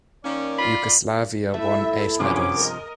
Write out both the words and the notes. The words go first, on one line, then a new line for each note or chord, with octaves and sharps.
Yugoslavia won eight medals.
D#3 A#3 C#4 D5
F4 B5
A3 E4 E5
G2 C3 F3 B3 C#4 G#4 D6
A#4 D#5